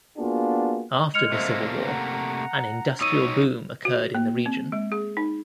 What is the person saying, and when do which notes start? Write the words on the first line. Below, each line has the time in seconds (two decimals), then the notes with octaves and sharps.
After the Civil War, an industrial boom occurred in the region.
0.18 A#3 B3 D4 F4 F#4 G#4
1.14 G#3 F6 C#7 F7
1.32 C3 A3 A#3 C5 E5
1.87 F#5 A#5
3.01 F#3 D#4 C#5 D#6 E6 D#7
3.85 F#4
4.15 A#3
4.46 C4
4.72 G#3
4.92 G#4
5.17 D#4